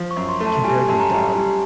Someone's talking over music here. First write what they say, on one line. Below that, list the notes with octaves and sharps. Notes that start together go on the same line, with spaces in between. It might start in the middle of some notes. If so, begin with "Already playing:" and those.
compared to a dog,
Already playing: F3
C#6
F#2
C6
A3
A5
G3 G#5
F#2 A5
A#5
G3
G3